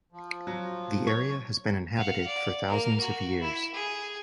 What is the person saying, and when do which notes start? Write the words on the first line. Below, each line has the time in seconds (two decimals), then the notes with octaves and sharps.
The area has been inhabited for thousands of years.
0.12 F3
0.47 F#3
1.07 C#5
1.97 F5 F#5
2.27 D5
2.68 A#3 A#4
3.00 F#4
3.41 E4
3.74 G#4